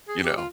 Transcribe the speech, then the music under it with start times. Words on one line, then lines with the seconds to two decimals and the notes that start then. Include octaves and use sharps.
you know,
0.08 G#4
0.23 G4
0.37 F4